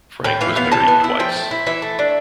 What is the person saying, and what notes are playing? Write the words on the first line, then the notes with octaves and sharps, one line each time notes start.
Frank was married twice.
A2 G5
E3 F5
B3 F5
E3 A5
B3
E4
F3 G5
A3
E4
E3 E5
A3
D4